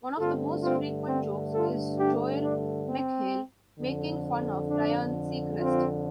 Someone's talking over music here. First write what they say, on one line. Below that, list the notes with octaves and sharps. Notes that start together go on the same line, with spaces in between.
One of the most frequent jokes is Joel McHale making fun of Ryan Seacrest.
G2 D3 A3 C4 F4 A4
C4 F4
C4
F4 A4
D4 G4
D4
C4
F2 D3 F3
D4
C4 F4